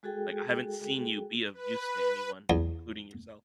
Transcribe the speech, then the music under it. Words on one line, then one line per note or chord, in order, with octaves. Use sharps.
Like, I haven't seen you be of use to anyone, including yourself.
G#3 F#4 G#4 A4 G5
B4
E2